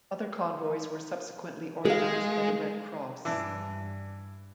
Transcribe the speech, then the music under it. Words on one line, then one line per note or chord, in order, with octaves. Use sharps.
Other convoys were subsequently organized by the Red Cross.
G#3 G#4 F5
G2 E3 D4